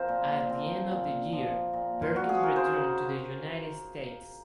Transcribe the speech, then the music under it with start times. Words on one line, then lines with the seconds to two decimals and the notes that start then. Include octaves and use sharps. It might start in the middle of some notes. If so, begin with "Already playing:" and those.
At the end of the year "Perkins" returned to the United States.
Already playing: F3 C4 A#4 C5
0.08 A#2
0.49 F3 C4
0.91 A#2
1.32 F3 C4
1.73 A#2
2.02 F4
2.15 F3 C4 F#4
2.29 G#4
2.43 A#4
2.56 C#3 C5